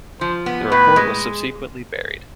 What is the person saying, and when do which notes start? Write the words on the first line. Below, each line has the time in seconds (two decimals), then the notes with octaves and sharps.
The report was subsequently buried.
0.21 F3 C5
0.46 B3
0.71 A2 B4
0.96 G#3